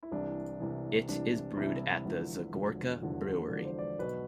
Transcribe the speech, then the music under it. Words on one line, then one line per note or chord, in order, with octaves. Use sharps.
It is brewed at the Zagorka Brewery.
E4
C2 C3 E3 D4
C2 C3 E3
C2 C3 E3 D4
C2 C3 E3 E4
E1 E2 D3 F3
E1 E2 D3 F3
E1 E2 D3 F3
E1 E2 D3 F3 D5
C5
D5
B1 B2 B4